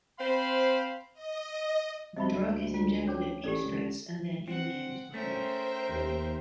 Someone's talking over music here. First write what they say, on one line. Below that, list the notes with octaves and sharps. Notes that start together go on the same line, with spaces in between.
The drug is injected at peak stress and then imaging is performed.
C4 C5 F5 B5
D#5
C3 D#5 E5 B5
D2
F4
C#4 C#5 D6
A1 G4 A4 D5
C#2
C4 F#5
A3 C#4 A#4 C5 E5 G5
D#2